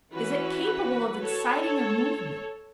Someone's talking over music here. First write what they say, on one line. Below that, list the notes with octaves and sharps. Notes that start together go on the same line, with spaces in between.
Is it capable of exciting a movement?
E3 C#4 F#4 B4
A4 C#5